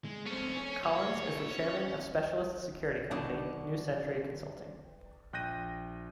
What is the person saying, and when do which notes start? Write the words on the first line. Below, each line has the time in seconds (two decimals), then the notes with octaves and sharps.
Collins is the Chairman of specialist security company, New Century Consulting.
0.05 G#3
0.26 A3 C4 C#4
0.57 C#5
0.84 A#3 F#4 C#5
1.48 C#4
3.11 B2 D3 D#3 F#3 D4
5.33 A#1 G5 F#6 G6 A#6 D#7